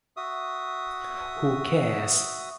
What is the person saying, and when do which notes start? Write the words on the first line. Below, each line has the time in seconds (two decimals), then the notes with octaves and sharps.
Who cares?
0.17 F#4 E5 D#6